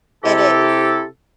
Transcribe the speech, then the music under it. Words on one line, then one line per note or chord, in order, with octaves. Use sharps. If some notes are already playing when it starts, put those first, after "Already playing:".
It is.
C3 E4 G4 A4